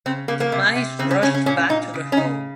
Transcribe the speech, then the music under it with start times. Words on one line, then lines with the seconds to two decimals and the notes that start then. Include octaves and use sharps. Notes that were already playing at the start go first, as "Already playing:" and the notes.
The mice rushed back to their hole.
0.06 C#3 C4
0.28 C#3 A#3
0.40 A#3
0.52 C3
0.75 C3
0.99 C#3 C4
1.11 C#4
1.23 C#3 C#4
1.34 C#4
1.46 A#2 C#4
1.69 A#2 D#4
1.94 C#3
2.12 C#4
2.17 C#3 D#4